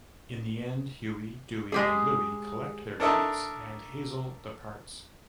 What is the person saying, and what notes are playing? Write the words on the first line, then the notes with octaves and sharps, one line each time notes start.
In the end, Huey, Duey, and Louie collect their treats and Hazel departs.
G#3 G4 G#4
D4 A4 A#4 C#5 D#5 E5